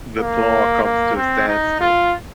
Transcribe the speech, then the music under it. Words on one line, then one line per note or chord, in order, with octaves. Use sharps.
The plough comes to a standstill.
A#3
A#3
C4
D#4
F4